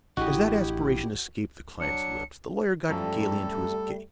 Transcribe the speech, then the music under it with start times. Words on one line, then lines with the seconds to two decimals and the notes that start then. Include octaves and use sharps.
As that aspiration escaped the client's lips, the lawyer got gayly into his gig.
0.17 A1 D4 E4 F#4 G4 D#5
1.80 F#3 D4 C#7
2.90 F#2 F3 G3 A3 A4